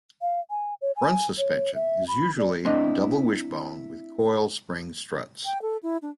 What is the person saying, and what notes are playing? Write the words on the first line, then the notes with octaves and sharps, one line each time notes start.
Front suspension is usually double wishbone with coil spring struts.
F5
G#5
C#5
G#5
C#5
E5
B5
D5
A3 C4 D4 E4 D#5
G5
A4
E4
D4